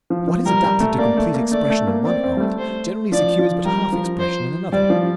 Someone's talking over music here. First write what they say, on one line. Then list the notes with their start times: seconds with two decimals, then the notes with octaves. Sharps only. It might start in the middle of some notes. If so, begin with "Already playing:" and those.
What is adapted to complete expression in one art generally secures but half expression in another.
0.10 F3
0.28 F3
0.46 G3 A#4
0.64 G3
0.80 A3
0.98 A#3 D5
1.17 A3
1.34 A#3
1.51 A3 D5
1.70 A3
1.87 A#3
2.05 C4 D5
2.24 C4
2.37 G3
2.40 A3
2.58 C5
3.12 F3 D5
3.39 F3
3.66 G3 A#4
3.93 F3
4.19 C5
4.72 G3 D5
4.90 F3